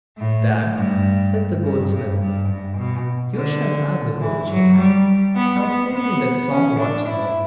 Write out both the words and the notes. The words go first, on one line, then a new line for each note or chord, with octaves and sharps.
"There," said the goldsmith; "you shall have the gold chain--now sing me that song once more."
A2
G2
G2
G2
G2
G2
B2
D3
E3
F#3
G3
B3
B3
B3
C#4
D4
E4